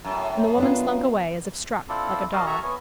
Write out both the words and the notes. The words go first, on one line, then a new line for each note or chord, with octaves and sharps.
And the woman slunk away as if struck, like a dog.
F#2 A2
B3 D4 F4
C4 D4 E4 F4 A4
F#4 A#4 D5 D#5 F5
F#4 A4 E5 G#5 A#5 C#6
B3 C#5 G#5